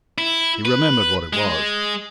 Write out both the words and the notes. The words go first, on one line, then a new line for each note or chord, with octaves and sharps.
He remembered what it was.
E4
B4
G#3